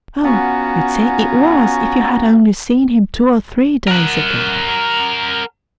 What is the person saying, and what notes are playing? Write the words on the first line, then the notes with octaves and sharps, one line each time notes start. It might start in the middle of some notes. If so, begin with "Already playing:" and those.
'Oh! you'd say it was, if you had only seen him two or three days ago.'
B3 C#4 F4 F#4 G#5 A#5
A#4 F#5